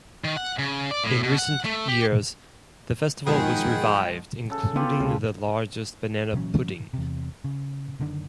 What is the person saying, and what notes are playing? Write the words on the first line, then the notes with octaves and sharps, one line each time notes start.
In recent years, the festival was revived including the largest banana pudding.
D#3
F#5
C#3
D5
A2
B2
F#5
A3
G4
B2 D#3 F3 G#3 G#4 F#5 G5 B5
C#3 A4
B3 E4 F4 G4
C#2 C#3
A#2 E3 F#3 C#4
E2 C3
C#3
F#1 D3 D#3 D4